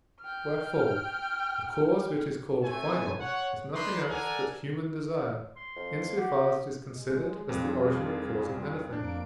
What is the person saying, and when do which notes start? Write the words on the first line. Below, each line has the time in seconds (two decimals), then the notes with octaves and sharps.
Wherefore, a cause which is called final is nothing else but human desire, in so far as it is considered as the origin or cause of anything.
0.21 G5 F6
2.63 A3 C4 C#5 G#5
3.20 C#5 F#5
3.73 D4 D#4 B4 C6
4.08 A4 A#4 D5 F#5 G#5 A#5
5.56 C6
5.76 F2
6.17 F#4 G4
6.93 G#3
7.49 F2 F3 G3 F4 G#4
8.93 F2 A#3 D4 D7